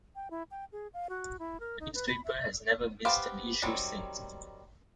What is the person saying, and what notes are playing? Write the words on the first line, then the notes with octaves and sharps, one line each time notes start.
The newspaper has never missed an issue since.
G5
E4
G5
G#4
F5
F#4
E4
A#4
D#4
B4
B5
E5
B3 G4 B4 C5 F5
D#3 F#3 G3 C4